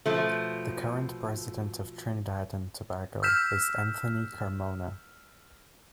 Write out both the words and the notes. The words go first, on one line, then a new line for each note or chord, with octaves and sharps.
The current President of Trinidad and Tobago is Anthony Carmona.
B2 F3 A3
E6 F6 G6 B6 E7